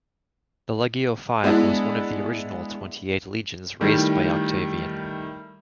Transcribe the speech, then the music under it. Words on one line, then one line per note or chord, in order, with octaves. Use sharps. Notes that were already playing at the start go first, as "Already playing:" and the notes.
The Legio Five was one of the original twenty-eight legions raised by Octavian.
G#3 B3 D4 E4
D#3 G3 A3 E4